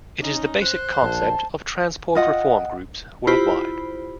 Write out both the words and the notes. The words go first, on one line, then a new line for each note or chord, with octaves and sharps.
It is the basic concept of transport reform groups worldwide.
C#4 D#4
C5 F#6
A#1 A5
F4 D#5 F#5 G5
E4 F4 G4 C5 B5